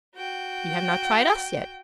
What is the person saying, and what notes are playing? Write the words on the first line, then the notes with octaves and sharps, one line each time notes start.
You have not tried us yet.'
F#4 G5